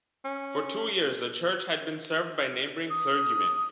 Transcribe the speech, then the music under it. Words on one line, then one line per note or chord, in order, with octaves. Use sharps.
For two years the church had been served by neighboring clergymen.
C#4
D#6